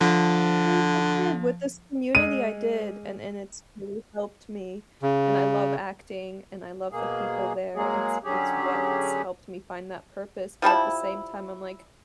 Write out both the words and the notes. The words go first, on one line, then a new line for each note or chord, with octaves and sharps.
I I did with this community, I did, and and it's really helped me and I love acting and I love the people there, it's it's what's helped me find that purpose, but at the same time, I'm like,
D3 F3
G#3 D#7
C#3
B2 A#3 G#4
F#3 G#3 A#3 G#4
D3 F#3 C#4 G4 G#4
F3 G3 E4 A5